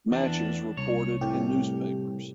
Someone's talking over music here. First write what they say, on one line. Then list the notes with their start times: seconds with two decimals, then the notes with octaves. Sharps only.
Matches reported in newspapers.
0.11 E2 D4
0.77 C2 C#5
1.21 C2 A2 G4